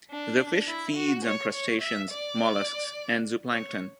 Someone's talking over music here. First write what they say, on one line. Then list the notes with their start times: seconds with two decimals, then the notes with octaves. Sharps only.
The fish feeds on crustaceans, molluscs, and zooplankton.
0.11 D4
0.68 E4
0.96 F#4
1.25 C#5
1.53 C#5
1.81 E5
2.10 D5
3.52 C#5